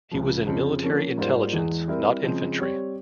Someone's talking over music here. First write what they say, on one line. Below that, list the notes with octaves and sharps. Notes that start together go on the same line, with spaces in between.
He was in military intelligence, not infantry.
C#2 C#3 F3
F2 C#3 F3 C4
F3 A#3 C#4
G#2 G3 A#3 F4 C5
E2 E3 G#3
G3 C4 E4 A#4
C#3 F3 G#3 C4
G3 C4 G4 C#5